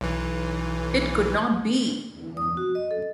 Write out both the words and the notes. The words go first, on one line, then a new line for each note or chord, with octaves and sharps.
It could not be!
B1 E3
D#6
F#4
D#5
A4